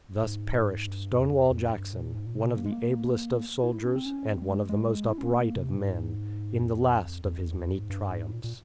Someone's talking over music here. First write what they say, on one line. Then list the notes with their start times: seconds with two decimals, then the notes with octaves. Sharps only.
Thus perished Stonewall Jackson, one of the ablest of soldiers and one of the most upright of men, in the last of his many triumphs.
0.23 G#2
0.87 G2
1.19 F2
1.50 F2
1.71 G2
1.93 A#2
2.15 G#2
2.26 A#2
2.35 C3
2.57 A#3
2.66 G#3
2.72 A#3
3.64 E4
3.85 C#4
3.96 C4
4.06 C#4
4.27 C4
4.42 G3
4.49 G#3
4.69 G#3
5.10 E4
5.18 C#4
5.26 C4
5.33 A#3
5.56 C3
5.76 G#2
6.54 G2
6.61 F2
7.25 F2
7.46 E2
7.68 F2
7.78 G#2
7.90 G2
8.11 G#2
8.32 A#2
8.44 A#2